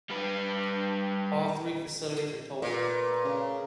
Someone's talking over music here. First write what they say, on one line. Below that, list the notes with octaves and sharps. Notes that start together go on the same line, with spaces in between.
All three facilities are toll-free.
G3 B4
A#2 A3 A#4 B4
C#3